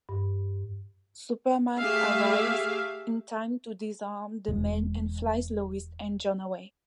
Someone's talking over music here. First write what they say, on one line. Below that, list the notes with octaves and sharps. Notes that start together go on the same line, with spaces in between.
Superman arrives in time to disarm the men and flies Lois and Jon away.
G2
A3 G4 G#4 E5 F5
E1 G#3